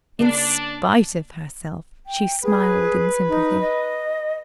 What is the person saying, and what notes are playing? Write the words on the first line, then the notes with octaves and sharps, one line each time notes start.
In spite of herself, she smiled in sympathy.
C#3 A#3 D4
G5
G#4 B4
D#4
D#5